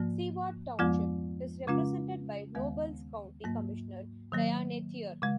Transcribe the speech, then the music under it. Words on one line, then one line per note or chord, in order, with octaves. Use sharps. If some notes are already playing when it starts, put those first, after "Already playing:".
Seward Township is represented by Nobles County Commissioner Diane Thier.
Already playing: G#2 F3 A#3
F2 F3 G#3 B3 F4
C#3 G#3 C#4 F4
D#2 D#3 G#3 B3
G#2 F#3 A#3
D#3 F#3 A#3
C#3 G#3